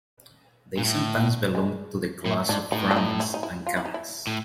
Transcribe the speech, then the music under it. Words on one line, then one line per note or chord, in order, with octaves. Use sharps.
They sometimes belong to the class of Brahmins and Kammas.
A#2
A2
G#3
A2
G#2 D4
A2 D#4
D4
D#4
E4
D#4
E4
F4
E4
D#4
E4
A2